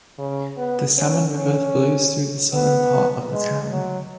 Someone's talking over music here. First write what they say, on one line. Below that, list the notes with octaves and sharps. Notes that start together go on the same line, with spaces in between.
The Salmon River flows across the southern part of the town.
C#3
B3
C#4
C#4
B3
G#3
F#3